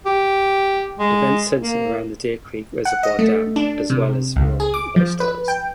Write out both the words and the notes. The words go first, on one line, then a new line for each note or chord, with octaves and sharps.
Events center around the Deercreek reservoir dam as well as rural lifestyles.
G4
G#3
A#3
F#5
D#5
A3
D4
C3
C#2
G#4
D6
F3
B4
G5